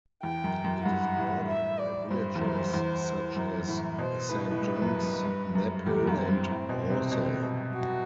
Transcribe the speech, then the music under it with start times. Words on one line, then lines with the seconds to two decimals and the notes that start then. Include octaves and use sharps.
It is bordered by villages such as Saint John's, Knaphill and Horsell.
0.23 E2 G5
0.44 F#2
0.64 F#2
0.85 G2 F#5
1.17 A2
1.49 E5
1.79 D5
2.11 G2 C5
2.35 E2
2.41 F#2
2.74 E2
3.36 F#2
3.67 A2
3.98 B2 C5
4.29 A2 B4
4.51 A2
4.62 G2
4.82 F#2
5.03 F#2
5.24 G2
5.55 F#2
5.86 E2 G4
6.07 F#2
6.17 C4
6.28 G2
6.49 A2
6.69 B2
6.90 C3
7.12 B2
7.43 B2
7.73 F#4